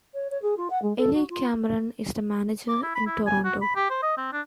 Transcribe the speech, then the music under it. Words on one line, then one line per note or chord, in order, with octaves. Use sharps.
Ellie Cameron is the manager in Toronto.
C#5
C#5
G#4
F4
F#5
G#3
A4
F#4
F4
D6
E4
B5
E4
G#5
F#4
B5
G4
C5
D#5
C4
D4